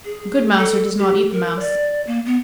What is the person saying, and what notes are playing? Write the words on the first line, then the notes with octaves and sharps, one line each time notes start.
A good mouser does not eat the mouse.
G#4
A4
G4
A#4
D5
A#3
B3